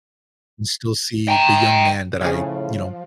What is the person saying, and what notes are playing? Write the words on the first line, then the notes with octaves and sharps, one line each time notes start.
and still see the young man that I, you know,
G5 A#5
A2 C#3 F3 C#4 G#4